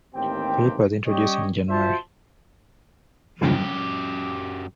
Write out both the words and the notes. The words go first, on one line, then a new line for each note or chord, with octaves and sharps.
Felipe was introduced in January.
A1 D#2 C4 G4 G5
G3 C#4 G4 C#5 D#5
F4 F#4 C5 E5 A5
F#2 G4